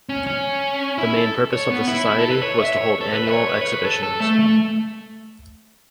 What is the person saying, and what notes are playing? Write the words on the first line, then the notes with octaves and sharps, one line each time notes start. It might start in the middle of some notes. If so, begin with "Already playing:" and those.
The main purpose of the society was to hold annual exhibitions.
C#4
C#4
E4
A4
C#5
B3
E4
E4
A4
B4
C#5
E5
C#5
A4
B4
E5
C#5
B4
C#5
B4
A4
A4
A3
A3